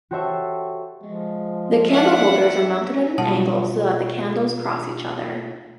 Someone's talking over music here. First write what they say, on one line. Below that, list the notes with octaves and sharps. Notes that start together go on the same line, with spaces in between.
The candleholders are mounted at an angle so that the candles cross each other.
F#4 G4 A4 C5 C#5 E5
F3 G#3
D4 E5 F#5
B2 G3 F4 F#5 A5